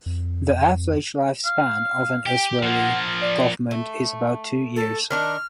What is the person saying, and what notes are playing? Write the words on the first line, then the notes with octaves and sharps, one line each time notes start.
The average life-span of an Israeli government is about two years.
F2
F5
G4 G5
F3 A#3 F4 F#5
D5
A3
A4
D#3 D4 A#4 F6